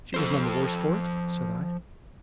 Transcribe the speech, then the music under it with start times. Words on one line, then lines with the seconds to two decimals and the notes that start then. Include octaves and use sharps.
"She was none the worse for it," said I.
0.14 F3 A4 C5